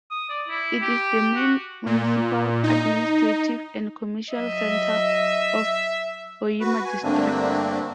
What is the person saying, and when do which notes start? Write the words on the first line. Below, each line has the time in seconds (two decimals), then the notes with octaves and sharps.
It is the main municipal, administrative, and commercial center of Hoima District.
0.11 D#6
0.30 D5
0.48 E4
0.82 G4
1.36 F#4
1.86 A#2
2.63 D#4
4.32 F#3 D#5 E5
6.60 F#4 B4
6.85 G#5
7.03 G2 D3 A3 A#3 C4 D4